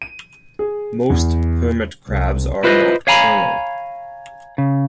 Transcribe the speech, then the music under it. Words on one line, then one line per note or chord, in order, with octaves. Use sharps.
Most hermit crabs are nocturnal.
D#7
G#4
E2
C2
E4 F4 B4 C5 D#5
C#5 F5 G#5 A#5 B5
C#3